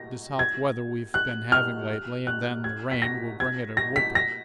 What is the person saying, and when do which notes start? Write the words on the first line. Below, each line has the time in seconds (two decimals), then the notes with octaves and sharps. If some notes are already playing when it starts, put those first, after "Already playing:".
This hot weather we've been having lately, and then the rain, will bring it a-whooping.
Already playing: A#6
0.39 G#6
1.14 F#6
1.52 F6
2.27 F#6
2.64 G#6
2.92 B6
3.02 A#6
3.40 G#6
3.77 A#6
3.96 B6
4.15 A#6